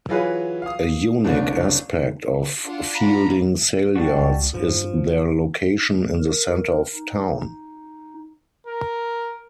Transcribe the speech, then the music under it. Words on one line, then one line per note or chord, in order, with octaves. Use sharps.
A unique aspect of Feilding Saleyards is their location in the centre of town.
E3 F#3 F4 G#4 B4
F5 D#6
F#1 C2 D4
D4 F4 F#5
A#5 B5
G3 D4 F#4
C#2
G2 F3
A#4
D#4
A#4